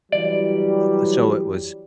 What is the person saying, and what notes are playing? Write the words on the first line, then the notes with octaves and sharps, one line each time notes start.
Uh, so it was
E3 F#3 G3 D5